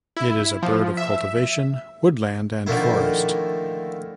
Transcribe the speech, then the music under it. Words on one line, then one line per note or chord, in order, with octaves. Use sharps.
It is a bird of cultivation, woodland and forest.
E4
F3
E5
D3 D#3 F3 A3 A#3 E4